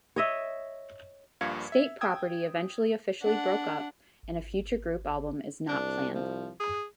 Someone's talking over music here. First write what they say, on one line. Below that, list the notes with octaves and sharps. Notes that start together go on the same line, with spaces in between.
State Property eventually officially broke up, and a future group album is not planned.
C#5 D#5 E5
A#1 G2 A#2 F5 G#6 C#7
E5
G5 D#6 E6 G#6
D4 F#5
G#1
C2 D4
F3
G#4